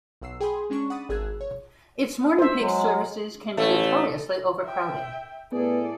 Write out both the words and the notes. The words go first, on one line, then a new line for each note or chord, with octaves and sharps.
Its morning peak services can be notoriously overcrowded.
B1 F#5 E6 C7
G#4 G5 G#5 B5 C6 D#6
G#3 C#4 D4 C#6
F#5 B5 D6 D#6 A6 D#7
G#1 G#4 E6 F#6 G#6
C#5
C5 E5
F#3 G#3
A1 A3
E5 G5
A2 B3 E4 G#4 A4 D5